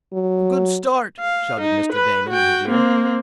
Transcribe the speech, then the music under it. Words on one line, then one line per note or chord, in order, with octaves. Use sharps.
"A good start!" shouted Mr. Damon in his ear.
F#3
F5
D#4
B4
F#4 G5
A#3 C4